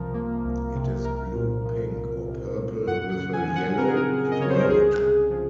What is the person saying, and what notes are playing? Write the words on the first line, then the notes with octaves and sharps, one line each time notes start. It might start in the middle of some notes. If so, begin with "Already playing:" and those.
It is blue, pink, or purple with a yellow throat.
Already playing: C2 C3 F3 A#4
A#3
C2
C3
C2 A#4
A#2
F3
C2
C2
A#2
F#2 F#5
F#5
C#3
G#5
F3
F#5
C4 A#4
G#4
A#4
F#2
D#5
C#3 C#5
C5
A#4
C2 G#4
C3
F3